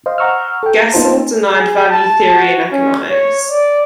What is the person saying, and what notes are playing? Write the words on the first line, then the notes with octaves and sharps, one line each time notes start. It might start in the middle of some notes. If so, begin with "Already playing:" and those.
Gesell denied value theory in economics.
C5 D#5 F5
F#5 A#5 C#6 E6 F6
A4 G5
A#3 B3 D#4 F4 C5 A5
G#4
A5
F#4
C#4
C#5
D5